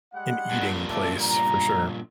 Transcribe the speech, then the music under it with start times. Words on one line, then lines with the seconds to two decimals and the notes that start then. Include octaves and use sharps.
an eating place for sure.
0.14 G3 G#3 F#5
0.51 G2 A#2
0.88 D5 E5 A5
1.19 A#5